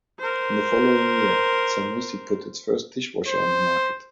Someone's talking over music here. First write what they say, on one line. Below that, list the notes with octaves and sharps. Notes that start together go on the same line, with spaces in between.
In the following year, Zanussi put its first dishwasher on the market.
A#4 C5
C5